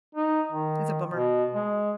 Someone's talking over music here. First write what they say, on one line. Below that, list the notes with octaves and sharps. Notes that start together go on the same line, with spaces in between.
it's a bummer.
D#4
D#3
B2
G#3